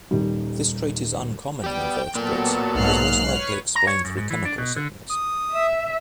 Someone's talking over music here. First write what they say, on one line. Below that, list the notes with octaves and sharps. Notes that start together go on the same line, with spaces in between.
This trait is uncommon in invertebrates and is most likely explained through chemical signals.
D#1 D#3 G3
B3 G4 D5 G5
F#3 A#3 B3 A4 A#4 D5
B1 G#2 F6 F#6 C7
B4 C#5
A#5
C#5
F#2
G#2
E3
D4
B2
D3
D#6
E5